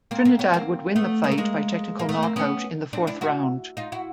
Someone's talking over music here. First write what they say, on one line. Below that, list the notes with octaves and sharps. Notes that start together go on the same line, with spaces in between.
Trinidad would win the fight by technical knockout in the fourth round.
A#3 C4
A#3 C4
B3 C#4
A#3 C4
A3 B3
G#3 A#3
A3
G#3 A#3
A#3
A3 B3
A#3 C4
B3 C#4
C4 D4
D4 E4
E4 F#4
D#4 F4
E4 F#4